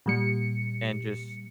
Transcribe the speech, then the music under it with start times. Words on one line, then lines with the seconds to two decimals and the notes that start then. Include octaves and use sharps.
and just
0.06 A#2 G3 C#7